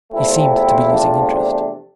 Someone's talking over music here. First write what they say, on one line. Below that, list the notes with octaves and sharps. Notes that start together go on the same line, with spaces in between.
He seemed to be losing interest.
E2 C3 F3 A3 C4 E4
C4 E4
D4 F4
D4